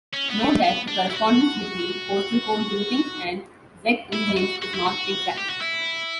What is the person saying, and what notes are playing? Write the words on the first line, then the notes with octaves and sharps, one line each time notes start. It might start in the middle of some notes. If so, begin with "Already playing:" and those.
Note that the correspondence between postal code groupings and Czech Regions is not exact.
C#4
B3
A3
B3
D4
E4
F#4
E4
F#4
F#4
E4
F#4
G4
F#4
E4